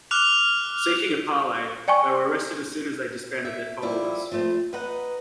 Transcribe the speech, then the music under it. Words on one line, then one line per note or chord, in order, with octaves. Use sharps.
Seeking a parley, they were arrested as soon as they disbanded their followers.
D6 F6 F#6 F7
D5 G5 G#5 C#6
E5
F3 G3 E4
F3 A3 C4
B4 D#5 F#5 A#5